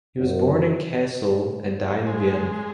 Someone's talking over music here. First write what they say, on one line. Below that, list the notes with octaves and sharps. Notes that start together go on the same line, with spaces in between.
He was born in Kassel, and died in Vienna.
F#1 F#2
G#3